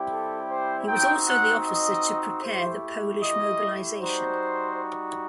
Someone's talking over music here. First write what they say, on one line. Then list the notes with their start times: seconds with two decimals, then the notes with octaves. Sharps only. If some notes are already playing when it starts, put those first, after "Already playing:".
He was also the officer to prepare the Polish mobilization.
Already playing: G3 C4 E4 G4
0.09 A4
0.48 C5
0.87 C4 D#4 F#4 G5
1.26 F#5
1.65 D#5
2.43 A3 E4 G4 C5
3.21 D#5
3.99 G3 D#4 F#4 C5